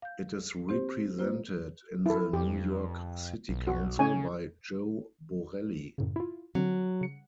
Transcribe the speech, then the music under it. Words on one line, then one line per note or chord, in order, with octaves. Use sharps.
It is represented in the New York City Council by Joe Borelli.
F5 G6
C4 G4 C5
A#3 F4 C5
E4 A4
F2 G4
B1
F#4
C#3 C#4 C#5 G#5
F#2 A2 C#3
E4 F4
D3 F#3 C4
C#3 C#7